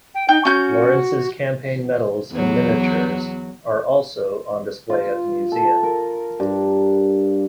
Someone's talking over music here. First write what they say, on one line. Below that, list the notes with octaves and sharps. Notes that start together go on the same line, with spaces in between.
Lawrence's campaign medals and miniatures are also on display at the museum.
G5
D#4 G5
C#4 F#4 G6
E2 F#3
F4
A4
A#4
G2